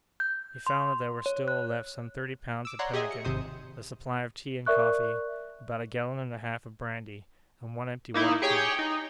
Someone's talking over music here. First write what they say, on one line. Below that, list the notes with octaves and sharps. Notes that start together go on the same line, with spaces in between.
He found that there were still left some thirty pounds of pemmican, a supply of tea and coffee, about a gallon and a half of brandy, and one empty water-tank.
G6
C6
C#5
F#6
D6 E6
C#5 D5 F#5 A#5 C6
G4 G#4 D#5 E5 G#5
C#7
G#1 C3 C5 D#6
A#4 D5 E5 C#6 F#6
A#3 D#4 E4
G4 G#4 C#5 G5
D#4